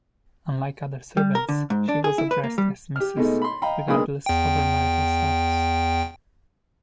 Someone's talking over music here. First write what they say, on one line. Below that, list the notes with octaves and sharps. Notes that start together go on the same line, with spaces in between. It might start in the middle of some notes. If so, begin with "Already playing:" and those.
Unlike other servants, she was addressed as Mrs regardless of her marital status.
G3
A#4
D3
G#2
D4
G#4
E4
B4
A#3
G3
G4 F6
B2 G#3 A3 D#4
B5 C6
D#5 F5 G5 A#5 B5
B1 G#3 A#3 D4 B5 D#6
E2 G5